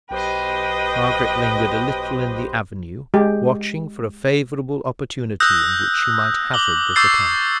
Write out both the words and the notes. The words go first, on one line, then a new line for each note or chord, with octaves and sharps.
Margaret lingered a little in the avenue, watching for a favourable opportunity in which she might hazard this attempt.
B1 G4 B4 C5 D#5 G5
G#3 G4
D#6 E6 F#6 G6 A#6
D6 F#7 G7
C#6 D6 E6 G6 A6 C7